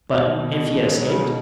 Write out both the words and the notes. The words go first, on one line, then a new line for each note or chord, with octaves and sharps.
"But if he had escaped?"
B2
D#3
B2
B2
D#3
G#3
F#3
C#3
B2